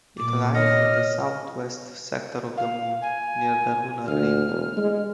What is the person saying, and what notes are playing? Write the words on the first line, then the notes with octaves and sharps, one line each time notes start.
It lies in the southwest sector of the Moon, near the lunar limb.
A#2 D6
C#5 D#5 F6
F5
G#5
D2 F6
E1
G#3